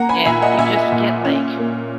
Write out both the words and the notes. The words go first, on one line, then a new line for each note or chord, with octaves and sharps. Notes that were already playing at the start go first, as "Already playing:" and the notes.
and you just get like,
Already playing: A#3 F#5 A#5
G#5 B5
A#2 E5 G#5
D#5 F#5
A#2 E5 G#5
A#2
C#4
A#3